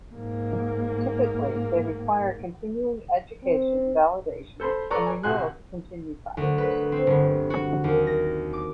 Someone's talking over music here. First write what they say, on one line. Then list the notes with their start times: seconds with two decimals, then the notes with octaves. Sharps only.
Typically they require continuing education validation and renewal to continue practice.
0.14 G#2 A#3
3.44 C4
4.60 A4 C5 B5 C6
4.91 A4 B4 D5 A#5 C#6
5.06 G#5
5.23 D#1 C2 F#4 G#5 C6 F#6
6.37 D2
6.58 B4
6.92 C4
7.07 G1
7.50 F#4
7.84 D#2
8.07 A#6
8.53 D6